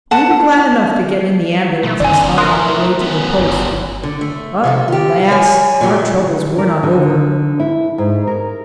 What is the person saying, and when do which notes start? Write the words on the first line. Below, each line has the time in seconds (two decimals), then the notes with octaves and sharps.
We were glad enough to get in the ambulance and start on our way to the post, but alas! our troubles were not over.
0.11 F#5 A5
1.83 B1 A3
2.00 F#1 D3 C4 D5 G#5
2.38 F3 A3 A#4 C6 D#6 F#6
3.01 B3 C#4
3.39 G1
4.03 D3
4.21 A3
4.64 C3 F3 A4
4.88 F4 G4
5.31 C#5 G#5
5.81 A#2 E3 F#3 G3
6.14 D3
6.58 A#4
6.83 D3
7.60 E4
7.98 G#2
8.27 A#4